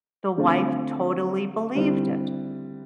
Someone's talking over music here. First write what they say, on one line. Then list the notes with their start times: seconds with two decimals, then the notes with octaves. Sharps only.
The wife totally believed it.
0.37 D3 A3 C4 F4
1.75 D3 G3 C4 E4